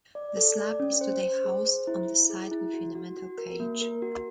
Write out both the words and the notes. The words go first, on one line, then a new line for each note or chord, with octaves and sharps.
The slab is today housed on the site within a metal cage.
D5
A4
D5
C#4
C5
C5
G#4
C5
E4
E4
G#4
E4
F#4
F#4
F#4
A#4
A#3
A#4
F#4